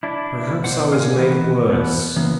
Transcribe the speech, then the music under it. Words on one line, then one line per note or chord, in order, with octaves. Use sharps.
Perhaps I was made worse.
D4 E4
B2 C5 F#5
A#4 F5 G5 G#5
D#3 E3 D#4 F#4 B4
E2 B2 B3 D#4 C5 F#5
C#3 E3 A#3 B3